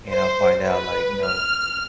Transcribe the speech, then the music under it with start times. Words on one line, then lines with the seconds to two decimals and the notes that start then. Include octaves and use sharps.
and I'll find out, like, you know,
0.11 C5
0.67 B4
1.28 F6